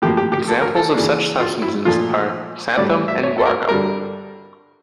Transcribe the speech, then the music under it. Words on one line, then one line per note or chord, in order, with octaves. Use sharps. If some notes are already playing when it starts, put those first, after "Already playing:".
Examples of such substances are xanthan and guar gum.
A2 F3 A#3 G4
G4
G4
A4
A#4
A4
C#3 E3 A#3 D4
F4
E4
A#2 F3 A3 F4
A2 G3 C#4 D5
E5
C#5
A4
A#4
D3 G3 D4 A#4